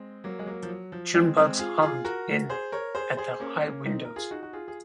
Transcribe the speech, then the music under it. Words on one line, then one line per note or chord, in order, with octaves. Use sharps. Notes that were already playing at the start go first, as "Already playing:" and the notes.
June bugs hummed in at the high windows.
Already playing: G#3 C4
F#3 A#3
G#3
F#3 A#3
F3
F#3
F3
G#3 C4
G#3 C4
F4 G#4
F4 G#4
F#4 A#4
G#4 C5
A#4 C#5
G#4 C5
G#4 C5
A#3 C#4
A#3 C#4
C4 D#4
A#4
F4 G#4
D#4 F#4
F#4
F4 G#4
G#4